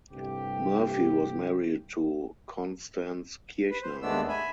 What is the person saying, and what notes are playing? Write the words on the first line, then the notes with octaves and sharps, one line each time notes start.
Murphy was married to Constance Kirchner.
C2 G2 A3 G4
B4
C5
D#2 G#3 A3 B3 D4 E6
E5 G#5 B5